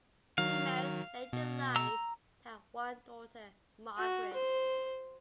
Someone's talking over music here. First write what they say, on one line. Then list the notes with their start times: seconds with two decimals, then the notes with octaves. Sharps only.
He married late in life and had one daughter, Margaret.
0.38 D#3 F#3 F5
1.33 B2
1.76 A#5 E6
3.97 F#4
4.34 C5